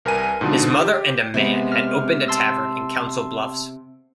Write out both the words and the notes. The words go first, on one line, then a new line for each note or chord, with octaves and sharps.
His mother and a man had opened a tavern in Council Bluffs.
C2 A#4 B4 G#5 D#7
G#2 B2 D3 F3
G4
C3 G#3 B3
F6
A5 C6 E6